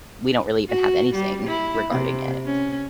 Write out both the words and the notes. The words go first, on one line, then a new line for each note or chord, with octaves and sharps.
we don't really even have anything regarding it.
F#4
G3
E4
C3
C#4